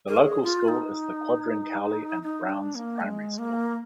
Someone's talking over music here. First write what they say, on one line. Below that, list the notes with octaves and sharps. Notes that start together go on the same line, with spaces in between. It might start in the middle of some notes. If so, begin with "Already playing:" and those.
The local school is the Quadring Cowley and Brown's primary school.
A#4
G#4
F4
D#4
D#4
D4
A#3
G#3
A#3